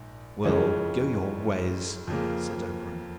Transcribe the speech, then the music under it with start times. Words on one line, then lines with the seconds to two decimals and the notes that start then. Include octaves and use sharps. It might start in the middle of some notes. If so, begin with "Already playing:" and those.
"Well, go your ways," said Oberon.
Already playing: A#1 G#2
0.44 F2 C#3 E3 G#3 C#4
2.07 F2 C#3 F3 A#3